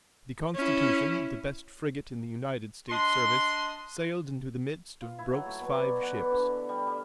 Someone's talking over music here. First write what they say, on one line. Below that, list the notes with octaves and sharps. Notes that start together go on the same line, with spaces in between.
The Constitution, the best frigate in the United States service, sailed into the midst of Broke's five ships.
C#4 E4
D4 D#5 C6
F4
E4
F#3
A3
B2
D5
F#5
E3
D3
G3
G3